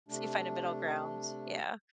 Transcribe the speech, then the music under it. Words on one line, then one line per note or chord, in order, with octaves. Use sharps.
So you find a middle ground, yeah.
C3 A3 D4